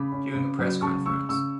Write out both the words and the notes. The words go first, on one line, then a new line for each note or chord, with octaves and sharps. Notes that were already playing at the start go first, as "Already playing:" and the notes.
During a press conference.
Already playing: C#3 B5 D6
C#4
C#3
F#3
C#3 A5 C#6
C#3 C#6 E6
C#3 C#6 E6